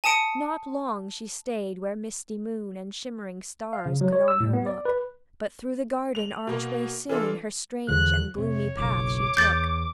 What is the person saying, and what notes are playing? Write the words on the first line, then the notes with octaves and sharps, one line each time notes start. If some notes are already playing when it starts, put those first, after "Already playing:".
Not long she stayed where misty moon And shimmering stars could on her look, But through the garden archway soon Her strange and gloomy path she took.
G#5 A5 D#6 C#7 D7
F5
C#3
F#3
C#5
E6
A2
B3
D5
B4
F7 F#7
B2 A#3
E3 D4 F4 A4
E2 D3 F3 F#6
F2 C3 C#5
F#1 B1 D6
E2 G6 A6